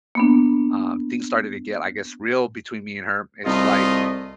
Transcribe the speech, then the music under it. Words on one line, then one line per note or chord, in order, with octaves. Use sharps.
uh, things started to get, I guess, real between me and her, it's, like
A#3 B3 D4
C2 A3 F4 D#5